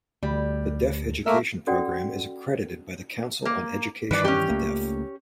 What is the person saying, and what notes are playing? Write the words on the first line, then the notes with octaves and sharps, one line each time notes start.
The Deaf Education program is accredited by the Council on Education of the Deaf.
D2 G3
A3 A#3 A#4 E5
C#4 F#4 A4 D5 F#5 G5
A#3
G2 D#3 E3 B4 D5
C#4 G4
C#2 A3 A#3